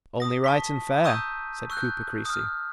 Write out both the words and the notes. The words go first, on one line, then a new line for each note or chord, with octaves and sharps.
"Only right and fair," said Cooper Creasy.
D#6 A#6
A5 C#6 B6
A#5 C#6 D#6 E6 G6 D#7
C#6 E6 F#6 G6
D#6 F6